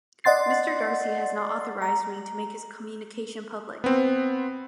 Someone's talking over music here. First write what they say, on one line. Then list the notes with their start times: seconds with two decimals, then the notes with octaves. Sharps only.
Mr. Darcy has not authorised me to make his communication public.
0.24 D5 D#5 F#5 C6 A6 C7
1.82 A#5
3.84 B3 C4